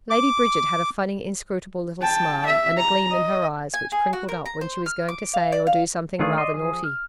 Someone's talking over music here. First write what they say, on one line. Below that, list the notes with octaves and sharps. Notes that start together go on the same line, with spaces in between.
Lady Bridget had a funny inscrutable little smile and a gleam in her eyes which crinkled up when she was going to say or do something rather naughty.
D6
G5 A5
E5
A#5
D#5
G#5
G#4
F#4
A#4
A#5
C5
F6
D6
F5
D5
F5
D#3 A3 D4 F4 G#4
D5 D#5 C6
F3 G#4
F6